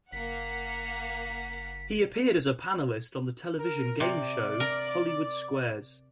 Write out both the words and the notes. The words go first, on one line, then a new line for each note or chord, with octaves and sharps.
He appeared as a panelist on the television game show "Hollywood Squares".
F#1 A#3 F5 F#5 B6
A#4
C3 D5
A#4